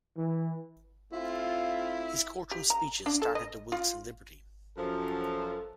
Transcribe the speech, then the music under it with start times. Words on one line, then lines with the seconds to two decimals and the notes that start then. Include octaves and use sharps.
His courtroom speeches started the Wilkes and Liberty!
0.16 E3
1.12 A3 C4 E4 F4
2.51 G4
2.70 A#5
3.06 D4
3.22 A4
3.35 D#5
3.72 F4
4.77 F#2 F3 A4